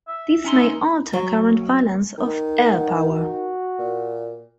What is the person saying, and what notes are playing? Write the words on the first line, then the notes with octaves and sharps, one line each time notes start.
This may alter current balance of air power.
E5
C#4 D#4 C6
F#3
D#3
F#5
F#4
A#2